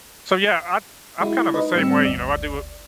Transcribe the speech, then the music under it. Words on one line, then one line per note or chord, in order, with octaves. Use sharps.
So, yeah, I I'm kind of the same way, you know. I do a
G#3 E4 F#4
D#4 B4 D#5
A2 G3 C4 E6 C#7
G1 D2 D5